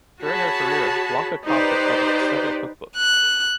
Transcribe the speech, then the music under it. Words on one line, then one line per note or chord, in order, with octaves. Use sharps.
During her career, Blanca Cotta published several cook books.
F#4 G#4 C#5 A5 B5
D#4 G4 B4 C5 D5
F#6